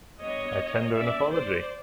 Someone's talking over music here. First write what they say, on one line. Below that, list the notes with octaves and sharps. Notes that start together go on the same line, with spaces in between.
I tender an apology.
G3 B3 D4 C#5 D#5
G3 A#3 C#4 D5 E5
C5 D5